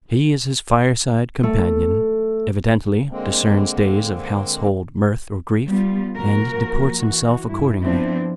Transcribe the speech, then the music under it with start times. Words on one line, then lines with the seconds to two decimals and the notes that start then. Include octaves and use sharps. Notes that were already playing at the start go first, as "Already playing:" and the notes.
He is his fire-side companion, evidently discerns days of household mirth or grief, and deports himself accordingly.
1.43 A3
3.09 D3 G#3 A#3 C4
5.69 G3 B3 F4
6.17 F3 A#3 F#4 A#4
6.97 E3 F#4
7.45 G2 E4
7.83 F3 B3 C4 D4 E4